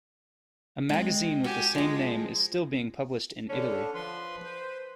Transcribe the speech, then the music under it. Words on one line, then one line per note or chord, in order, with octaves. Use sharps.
A magazine with the same name is still being published in Italy.
G#3 C4
F#4 G4 G#5
F3 G#3 G#4
D3 C#4 D4
F3 B4 C6
C5